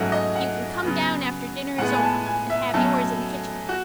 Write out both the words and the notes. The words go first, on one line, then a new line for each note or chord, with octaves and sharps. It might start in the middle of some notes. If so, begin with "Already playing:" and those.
"You can come down after dinner is over and have yours in the kitchen."
Already playing: G#2 F#3 A3 C#4 F#5
D#5
F#5
C#3 F#3 B3
A2 G#3 B3 F#5
G#5
A5
G#5
E5
B2 F#3 A3 C#4 A4
F#4